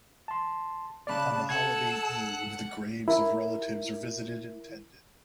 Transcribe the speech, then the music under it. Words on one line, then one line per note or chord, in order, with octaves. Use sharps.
On the holiday eve the graves of relatives are visited and tended.
A5 C6
C#3 D5 A5 B5 F#6
A4 F#5 E6 G#6
E4 A#4